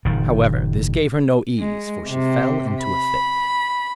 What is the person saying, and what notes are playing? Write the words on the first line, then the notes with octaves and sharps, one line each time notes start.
However, this gave her no ease, for she fell into a fit.
F#1 A#2 D#3
G#3
C3
B5